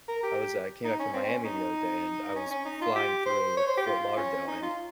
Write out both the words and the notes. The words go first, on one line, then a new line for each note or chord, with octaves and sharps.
I was I came back from Miami the other day and I was flying through Fort Lauderdale and
A#4
G4
D#4
C#4
C4
C4
C#4
D#4
C#4
C#4
D#4
F4
G4
C5
C#5
C5
G4
F4
C#4
D#4
F4